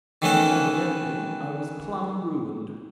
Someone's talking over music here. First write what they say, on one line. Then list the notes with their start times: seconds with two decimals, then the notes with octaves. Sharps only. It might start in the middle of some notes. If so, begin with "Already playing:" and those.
Evidently I was plumb ruined.
0.22 D#3 E3 A3 B3 C#4 B4